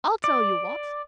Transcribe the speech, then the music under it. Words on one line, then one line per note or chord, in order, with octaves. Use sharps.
I'll tell you what!
D5